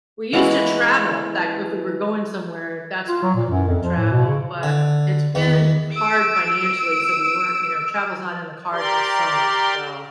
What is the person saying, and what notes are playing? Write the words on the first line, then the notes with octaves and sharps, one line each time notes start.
we used to travel back if we were going somewhere, that's when we would travel, but it's been hard financially, so we weren't, you know travel's not in the cards this summer, so
E3 G#3 A#3 B3 C#4 E4
F4
F#3
A#2
F#2
F2
F3
A2
B2
C#3
D3
E2 D#3
E6 D7
G4 A#4 D5 C6